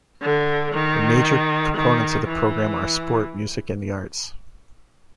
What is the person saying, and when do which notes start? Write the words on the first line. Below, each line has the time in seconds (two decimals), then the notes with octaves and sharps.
The major components of the programme are sport, music and the Arts.
0.22 D3
0.74 D#3
1.76 D#3
2.28 E3